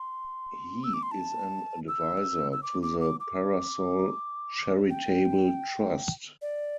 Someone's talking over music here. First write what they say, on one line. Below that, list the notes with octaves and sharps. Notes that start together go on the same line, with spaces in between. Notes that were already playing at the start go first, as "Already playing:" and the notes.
He is an advisor to the Parasol Charitable Trust.
Already playing: C6
E6
D6
C6
A5
E6
E6
D6
D6
D6
D6
G5
D5